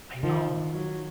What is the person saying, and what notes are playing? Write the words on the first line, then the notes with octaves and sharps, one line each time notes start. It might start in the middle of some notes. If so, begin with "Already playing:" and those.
I know.
D#3 F3
F#3